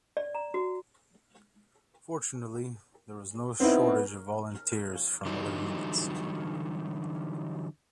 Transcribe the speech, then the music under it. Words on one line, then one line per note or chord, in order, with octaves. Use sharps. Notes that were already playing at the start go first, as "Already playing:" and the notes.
Fortunately there was no shortage of volunteers from other units.
D5
A#5
F#4
B3 C4 D#4 E4
D3 E3 F#3 G3 D#4